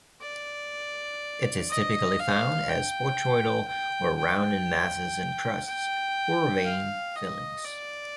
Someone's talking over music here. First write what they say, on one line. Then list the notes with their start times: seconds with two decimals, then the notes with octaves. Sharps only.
It is typically found as botryoidal or rounded masses and crusts, or vein fillings.
0.22 D5
1.70 D#5
2.19 F5
2.69 G5
3.68 G5
4.18 G5
5.67 G5
6.65 F5
7.16 D#5
7.65 D5